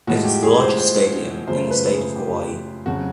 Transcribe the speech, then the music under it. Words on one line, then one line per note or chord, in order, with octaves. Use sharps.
It is the largest stadium in the state of Hawaii.
A2 F3 G#3 F#4
G4
G#4
C5
C5
F#2 C#3 F3 A3 C5
B4
G#4
G4
F2 C#3 F#3 F#4